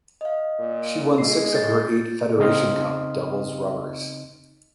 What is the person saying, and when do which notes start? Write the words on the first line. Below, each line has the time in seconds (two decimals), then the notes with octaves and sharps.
She won six of her eight Federation Cup doubles rubbers.
0.21 D#5 F5
0.59 A#2
1.18 G#3 B3 F4 C7
1.53 G6 A6
2.38 C#3 C4 D#4 D#5 C6 F6